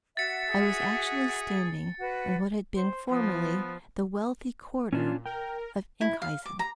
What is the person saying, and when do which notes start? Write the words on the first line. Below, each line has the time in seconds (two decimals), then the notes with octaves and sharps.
I was actually standing on what had been formerly the wealthy quarter of Enkhuizen!
0.17 F#4 E5 F#5 A6 C#7
0.49 G#4
2.00 F#4 B4 F#5
2.76 C5
3.10 F3 B3
4.93 A#2 C#4 D4 F4
5.26 A#4 G5
6.01 E4
6.22 F5
6.45 D6
6.59 A#5